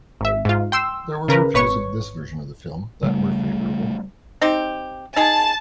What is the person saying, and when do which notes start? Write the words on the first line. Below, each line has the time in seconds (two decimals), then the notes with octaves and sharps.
There were reviews of this version of the film that were favorable.
0.21 G#1 E5
0.45 G#2 F4
0.72 G5 C6 E6
1.28 C#3 A#4 B4
1.54 G#1 B4 C#5 C#6
3.03 C#3 G3 A3
4.41 C4 D#4 G4
5.16 D#4 G#4 A5